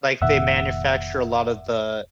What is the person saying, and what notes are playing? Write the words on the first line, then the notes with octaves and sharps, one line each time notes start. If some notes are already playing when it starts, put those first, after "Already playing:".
Like, they manufacture a lot of the
F1 A#2 D#3 E5 F#5 E6